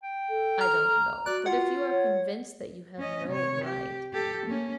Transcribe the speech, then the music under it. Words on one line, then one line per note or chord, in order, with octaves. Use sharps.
"I don't know; but if you are convinced that you have no right..."
G5
A4
A#5 F6
F#4 D5 F#6
F4 F#5
C#5
C#4 D#5
C3 C#5
G4
G4 A4
A#3 C#4